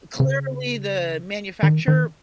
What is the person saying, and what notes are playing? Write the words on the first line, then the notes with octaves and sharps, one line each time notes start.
clearly the manufacturer
C#3
D#3
D#3